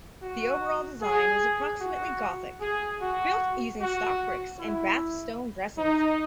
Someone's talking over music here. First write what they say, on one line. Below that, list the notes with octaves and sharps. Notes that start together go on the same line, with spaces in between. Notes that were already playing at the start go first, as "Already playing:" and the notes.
The overall design was approximately Gothic, built using stock bricks and bath stone dressings.
F#4
G#4
F#4
G#4
F#4
F#4
E4
D#4